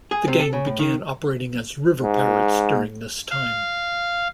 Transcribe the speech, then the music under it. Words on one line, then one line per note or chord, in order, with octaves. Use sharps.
The gang began operating as river pirates during this time.
G#4
C3
A4
C#3
A2
D#3
G#2
F5